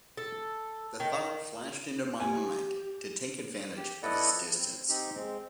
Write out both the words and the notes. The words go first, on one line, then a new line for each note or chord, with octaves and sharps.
The thought flashed into my mind to take advantage of his distance.
A4
D#3
G4 G#5
G4
B3 E4 A4 D5 D#5 F#5
F3
C4
C4 D#4 G4
G#3 C4